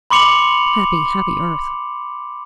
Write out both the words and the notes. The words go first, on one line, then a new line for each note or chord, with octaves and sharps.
Happy, happy earth!
B5 C6 D6 C#7 F7 F#7